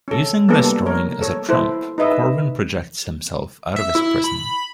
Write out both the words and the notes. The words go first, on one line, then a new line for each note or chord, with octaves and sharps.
Using this drawing as a Trump, Corwin projects himself out of his prison.
C#4 A4
G3 A#3 B3 D4 A4
A#4 C#5
A4 C#5
E4 A4 C5
D#4 B4 D#5 E5
E5
E4
B5